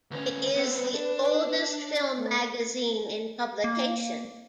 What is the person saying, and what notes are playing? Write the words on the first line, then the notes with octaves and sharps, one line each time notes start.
It is the oldest film magazine in publication.
D2 C#4 B4
B3 C4
D4
C#5
A3
A#3